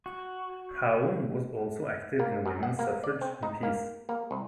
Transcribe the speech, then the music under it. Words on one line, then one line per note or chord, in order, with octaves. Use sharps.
Howland was also active in women's suffrage and peace.
F#4
A#3
F#2
F#5
A#3
D5
C4
D#4
A#3
A#3
C2